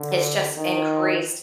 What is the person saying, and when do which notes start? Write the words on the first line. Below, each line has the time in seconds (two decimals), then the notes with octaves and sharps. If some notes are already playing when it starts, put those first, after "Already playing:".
it's just increased.
Already playing: D3
0.57 D#3